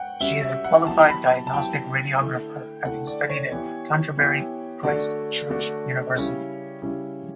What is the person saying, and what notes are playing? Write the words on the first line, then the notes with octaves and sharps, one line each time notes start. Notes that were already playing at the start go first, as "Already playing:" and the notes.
She is a qualified Diagnostic Radiographer having studied at Canterbury Christ Church University.
Already playing: F#5 G5
G3 C#4 F#4 E5
E5
F#5
F#3 B3 E4 G4 A5
B5
A5
A5
F#3 B3 E4 G4 G5
D3 A3 E4
D3 A3 E4 F#5
D5
C#5
E3 B3 E4 G4
E3 B3 E4 G4
D3 A3 D4 F#4 D5
D3 A3 D4 F#4
C#3 G3 C#4 E4
C#3 G3 C#4 E4